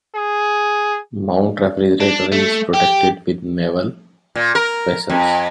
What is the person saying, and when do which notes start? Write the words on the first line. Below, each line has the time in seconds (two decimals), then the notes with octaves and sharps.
Mount Refrigerator is protected with naval vessels.
0.15 G#4
2.00 D4
2.32 A3
2.74 G4
4.35 A#2
4.55 A#4
5.10 F2